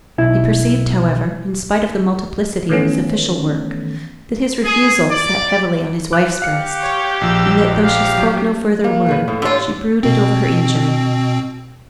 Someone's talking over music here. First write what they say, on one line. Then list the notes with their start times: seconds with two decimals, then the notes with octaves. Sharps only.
He perceived, however, in spite of the multiplicity of his official work, that his refusal sat heavily on his wife's breast, and that, though she spoke no further word, she brooded over her injury.
0.18 B1 E4
2.69 D#3 E3 A3 B3 C#4
4.64 G#4
5.10 D5
6.13 D6 F#6
6.42 G4 F5 C#7
6.81 C#5
7.21 A#1 F3 E6
7.83 G4 F5
8.18 F#3
8.84 E3 A#3 F5
9.06 B2 G#4 B4
9.28 A2 A3
9.42 D3 E3 F4 G4 C#5
10.03 B2 C4